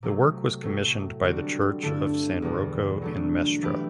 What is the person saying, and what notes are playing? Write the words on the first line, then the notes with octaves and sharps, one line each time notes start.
The work was commissioned by the church of San Rocco in Mestre.
C3 F#3 A3
A2 F#3 A3
D3 G3 C4 F#4
G2 D3 A3 E4 A4
E2 B2 G3 B3
F#3 A3 D4
E3 A3 E4 G4 B4